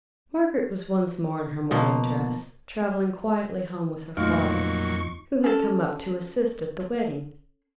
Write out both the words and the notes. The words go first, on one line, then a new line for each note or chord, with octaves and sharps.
Margaret was once more in her morning dress, travelling quietly home with her father, who had come up to assist at the wedding.
B2 F3 A#3
F2 A#2 F#3 A3 D#4 F4 C#6
C#4 A4